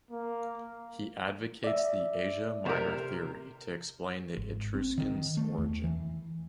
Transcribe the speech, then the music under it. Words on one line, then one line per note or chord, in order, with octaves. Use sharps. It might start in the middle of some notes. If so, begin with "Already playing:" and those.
He advocates the Asia Minor theory to explain the Etruscans' origin.
A#3
D5 E5
C3 A#4
G#1
C4
D#3
A3
E2
E3